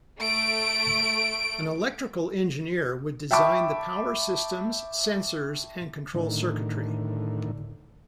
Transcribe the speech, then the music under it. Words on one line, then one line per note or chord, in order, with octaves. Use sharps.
An electrical engineer would design the power systems, sensors, and control circuitry.
A3 D7
E5 G5 A5 B5 C#6 D6
A2 D3 D#3